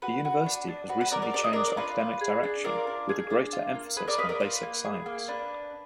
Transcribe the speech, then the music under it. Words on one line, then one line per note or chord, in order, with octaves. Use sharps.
The university has recently changed academic direction, with a greater emphasis on basic science.
F#4 B4
F#4
D4
D4
F#4 B4
B4
F#4 A#4 D5
A#4 D5
D4 D5
D#5
D4 A#4 D5
D5
F4 B4
D4
G#4
D4
F4 A#4 D5
D4
G#4
D4
F4
A#3
G#4 B4
A#4 D5
A#3 B4 D#5
A#4 D5
F4 B4
A#3
G#4
A#3
D4 B4